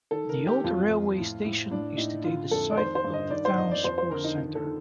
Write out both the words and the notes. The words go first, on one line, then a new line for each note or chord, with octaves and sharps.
The old railway station is today the site of the town's sports centre.
D#3 A4
A#4
D#3
G4
F2 F4
F2
A2
A2
A2 D4
A2 D#4
D3 F4
F2 A4
D5
D#3 C5
C5
G2
D#5
D#3 D5
C5
F2 D#5
D5
F2 C5
C5
D3 A#4
D#4
D#3
A4
D#3